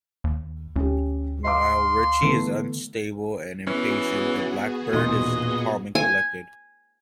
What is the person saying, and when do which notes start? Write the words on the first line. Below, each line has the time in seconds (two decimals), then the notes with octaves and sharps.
While Richie is unstable and impatient, the Blackbird is calm and collected.
0.24 D#2
0.76 D2 C#4 G4
1.44 D#5 F5 C6 D6
2.22 D3 E3 A3 B3
3.67 E3 B3 C#4 F#4 G#4
4.93 E1 A#2 D#4 D#5 C6
5.95 G#5